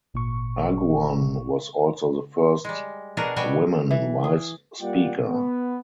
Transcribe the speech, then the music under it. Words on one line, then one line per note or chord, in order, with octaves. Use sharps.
Aguon was also the first woman Vice Speaker.
G#1 A#2 C#6
G3 G#3
B2 D4 F#4 G#4 A#4
B2 G3 F#4 C#5 G5 G#5
E3
G#4
G3 A#3 F4 D5 F#5 G5
B3